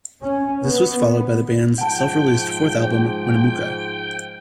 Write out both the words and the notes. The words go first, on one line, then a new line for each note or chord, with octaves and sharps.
This was followed by the band's self-released fourth album, "Winnemucca".
C#4
B3
G#2 F3 F#5 G5 A5